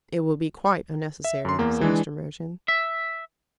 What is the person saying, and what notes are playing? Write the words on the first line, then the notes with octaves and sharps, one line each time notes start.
"It will be quite unnecessary," said Mr. Merton.
E5
F#2 C6
E2 A#3
E3 G#3 D4
E5